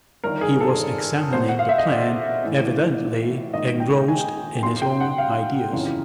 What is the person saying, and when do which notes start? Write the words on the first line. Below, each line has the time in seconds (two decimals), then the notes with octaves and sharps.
He was examining the plan, evidently engrossed in his own ideas.
0.24 G1 G2 D#3 A#4
0.41 G#4
0.61 A4
1.33 C2 B2 C5
1.49 F#5
1.59 F5
1.69 E5
1.78 D#5
1.89 D5
2.43 A1 A2 E3
3.53 A#1 G#2 D#3 D#5
3.80 G5
4.08 G#5
4.63 B1 B2 C6
4.82 G5
5.00 F#5
5.18 F5
5.72 G1 F2 C#3 E3